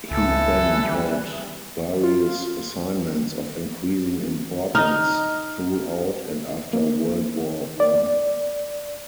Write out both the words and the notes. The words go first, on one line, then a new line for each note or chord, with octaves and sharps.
He then held various assignments of increasing importance throughout and after World War One.
C#2 E3 A4
G3
F4
D#4 D#5 F6
A#3
D5